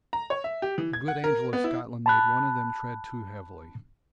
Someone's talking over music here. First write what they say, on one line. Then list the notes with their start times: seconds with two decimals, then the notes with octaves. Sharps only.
The good angel of Scotland made one of them tread too heavily.
0.13 A#5
0.30 C#5
0.44 E5
0.62 G4
0.78 E3
0.93 G#6
1.08 F#5
1.24 A#4
1.53 B3
1.64 E4
2.06 A5 B5 F#6